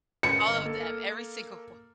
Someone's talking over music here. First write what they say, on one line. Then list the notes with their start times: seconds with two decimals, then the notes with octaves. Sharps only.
All of them, every single one,
0.23 C#4 A#4 B4 C#7
0.48 G1 D#5 F6
0.66 A#3 A4